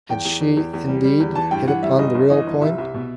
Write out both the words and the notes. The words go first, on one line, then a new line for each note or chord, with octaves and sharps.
Had she indeed hit upon the real point?
E2 G5
E2
E2
E2
E2
G3
G3
E2
E3 A5
G2 G5
E3 F#5
G3 E5
G1 D#5
G1
E3 D#5
G1
C2 E5
C2
B2